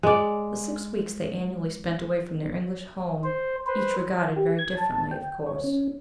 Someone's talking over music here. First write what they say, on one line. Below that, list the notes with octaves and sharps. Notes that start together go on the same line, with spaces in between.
The six weeks they annually spent away from their English home, each regarded very differently, of course.
G#3 D5
C5
B4 C5
G4
G#6
A5
G5
C#5
C#4